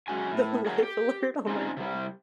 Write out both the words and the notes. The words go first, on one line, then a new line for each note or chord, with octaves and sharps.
Life alert on my phone.
F#2 G#3 C#4 F#4 G#5
A2
G#4 A#4 C#5 F5 F#5
G4
C4 C#4 D#4 F4
C3 G3